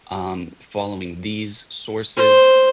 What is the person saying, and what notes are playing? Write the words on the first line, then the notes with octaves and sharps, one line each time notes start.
um, following these sources,
C5